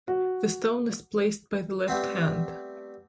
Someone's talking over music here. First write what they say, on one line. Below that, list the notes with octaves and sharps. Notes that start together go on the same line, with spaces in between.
The stone is placed by the left hand.
F#4
G3 A3 B3 C4